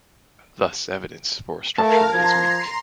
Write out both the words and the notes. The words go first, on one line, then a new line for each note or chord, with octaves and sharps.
Thus evidence for structure is weak.
A3 A#4 F5 A5
F3 A#5 C6 G#6